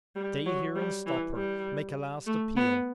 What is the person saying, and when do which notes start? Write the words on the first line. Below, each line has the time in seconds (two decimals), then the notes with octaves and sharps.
'Stay here and stop her!--make a last appeal!
0.15 G3
0.46 F#3
0.76 G3
1.06 E3
1.36 G3
2.26 A3
2.56 B3